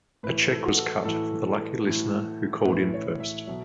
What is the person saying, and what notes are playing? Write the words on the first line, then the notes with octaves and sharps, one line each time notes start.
A check was cut for the lucky listener who called in first.
A2 E3 B4
A4
F#4
A4
A2 E3 A4
A2 E3
A2 E3 B4
C#5
E5
B2 F#3 E5